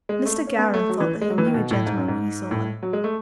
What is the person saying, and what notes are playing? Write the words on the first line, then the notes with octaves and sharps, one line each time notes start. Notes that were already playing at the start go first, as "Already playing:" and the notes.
Mr. Gowran thought that he knew a gentleman when he saw one.
G#3
A3
C#4
B3
A3
F#3
E3
G#3
F#3
E3
D#3
B2
A2
G#2
F#2
G#2
A2
F#3
G#3
A3